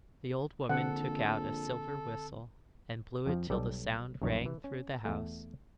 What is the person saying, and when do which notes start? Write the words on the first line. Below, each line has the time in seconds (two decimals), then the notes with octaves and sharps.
The old woman took out a silver whistle and blew it till the sound rang through the house.
0.69 A#1 D3 C4 A4 F#5
3.26 F2 F3
3.50 B1 G3 A4 D5
4.22 A#1 F#2 D#3 C#5
4.46 E3
4.64 C#4
5.05 E2 A3